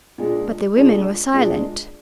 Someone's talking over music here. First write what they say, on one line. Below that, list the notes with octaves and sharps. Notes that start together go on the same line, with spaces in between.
But the women were silent.
A#2 G#3 D4
A#2 G#3 D4
A#2 G#3 D4